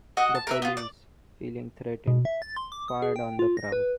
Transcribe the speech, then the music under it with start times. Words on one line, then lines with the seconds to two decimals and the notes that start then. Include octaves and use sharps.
The police, feeling threatened, fired on the crowd.
0.17 F#4 D#5 F#5
0.35 A5
0.47 A#4 B4 E5
0.62 B3 F4
0.77 D5
2.08 B2
2.25 E5
2.42 A6
2.57 C6
2.72 D6
2.88 D#6
3.02 G#4
3.16 G5
3.39 F4
3.57 A#6
3.72 B4